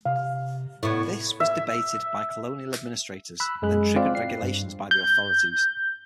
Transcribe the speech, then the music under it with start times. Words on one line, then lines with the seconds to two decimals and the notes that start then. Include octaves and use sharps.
This was debated by colonial administrators, then triggered regulations by the authorities.
0.05 C3 F5
0.83 A2 B3 E4 C#6 G#6
1.40 E5
3.40 B5 E6 F#6
3.62 F#2 G#3 G#4 F#6
3.96 C4 F4 D5 F5
4.15 C7
4.43 G2
4.91 G6